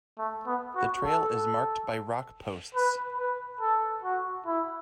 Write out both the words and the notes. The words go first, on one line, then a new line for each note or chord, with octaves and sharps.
The trail is marked by rock posts.
A3
B3
F#4
A4
B4
B4
A4
F#4
E4